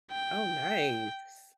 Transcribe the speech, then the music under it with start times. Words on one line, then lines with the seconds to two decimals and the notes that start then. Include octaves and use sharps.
Oh, nice.
0.11 G5